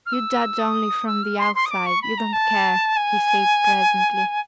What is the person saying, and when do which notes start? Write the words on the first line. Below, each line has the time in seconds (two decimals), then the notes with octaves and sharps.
"You judge only from the outside--you don't care," he said presently.
0.06 F6
0.12 E6
0.59 D#6
1.07 E6
1.22 F6
1.38 C6
1.55 C6
1.65 D#6
1.70 D6
1.86 C#6
2.01 B5
2.17 A#5
2.32 A5
2.96 G#5